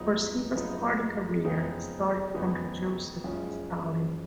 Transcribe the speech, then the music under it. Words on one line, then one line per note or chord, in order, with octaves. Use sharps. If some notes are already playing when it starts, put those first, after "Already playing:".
Furtseva's party career started under Joseph Stalin.
Already playing: F#1 F#2 F3 B3 D#4
F#1 F#2 F3 B3 D#4
F2 C#3 G#3 B3 D#4
F2 C#3 G#3 B3 D#4
F#1 F#2 F3 G#3 C#4